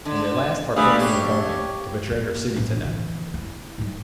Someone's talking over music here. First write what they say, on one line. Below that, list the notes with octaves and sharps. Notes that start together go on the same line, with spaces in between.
And at last Tarpeia made a bargain, to betray her city to them.
D3
G3 A3 D4 G#4 B4 E5 F5
G4 C#5
A#3
A1 E3
D3 E3
E4
G#2 G3